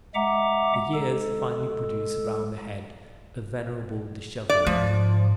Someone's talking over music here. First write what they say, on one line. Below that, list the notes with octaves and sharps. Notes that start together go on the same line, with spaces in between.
The years finally produce around a head a venerable dishevelment.
G#3 E5 F#5 A#5 D6
G#3 A4
D5
G#2 F3